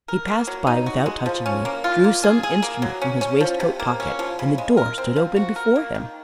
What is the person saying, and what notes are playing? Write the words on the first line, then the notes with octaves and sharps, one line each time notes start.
He passed by, without touching me, drew some instrument from his waistcoat pocket, and the door stood open before him.
A#4
A#3
F#3
D#4
F#4
G#3
F3
C#4
A#3
F4
A#3
G#4
G#4
A#3
F#3
C#4
C#4
F3
C3
A#3
C#4
F3
C#3
G#3
A#4
C4
F3
F#4
A#4
A#3
D#3